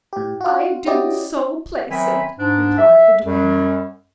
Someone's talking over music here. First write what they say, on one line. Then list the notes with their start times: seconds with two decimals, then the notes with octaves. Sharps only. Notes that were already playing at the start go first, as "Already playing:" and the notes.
"I do so place it," replied the duenna.
0.13 A2 G4
0.41 F4 F#4
0.86 C#4 E4 F#4 G4 D5 D#5
1.90 D#3 F#3 C4 E5 G#5 B5
2.38 G#2 D4
2.78 E5
3.24 F#2 G3